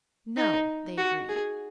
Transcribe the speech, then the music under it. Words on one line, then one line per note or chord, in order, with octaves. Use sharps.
"No," they agreed.
D#4
F#4
G#4